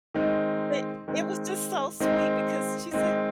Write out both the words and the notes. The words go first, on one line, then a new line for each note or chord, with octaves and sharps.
but it was just so sweet, because she said,
D#3 G#3 C4 D#4
D#3 G#3 C4 D#4
D#3 G#3 C4 D#4
D#3 G#3 C4 D#4